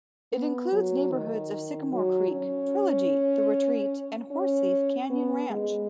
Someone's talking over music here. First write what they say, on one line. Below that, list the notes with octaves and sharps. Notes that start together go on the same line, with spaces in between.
It includes the neighborhoods of Sycamore Creek, Trilogy, The Retreat and Horsethief Canyon Ranch.
B3
F#3
D#3
F#3
C#4
C#4
B3
G#3